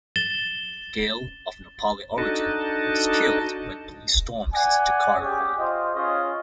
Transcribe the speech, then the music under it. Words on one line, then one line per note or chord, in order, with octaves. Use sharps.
Ghale, of Nepali origin, was killed when police stormed his Jakarta home.
A6 E7 G7
D4 D#4 F#4 A4 D#5 A5
D5 F#5 G#5
C#4 G4 G#4
F4 C5 D#5
C#4 F4 G#4 C#5 D#5